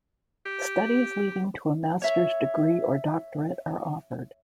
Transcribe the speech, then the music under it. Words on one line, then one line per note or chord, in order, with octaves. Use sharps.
Studies leading to a master's degree or doctorate are offered.
G4
C#5 E5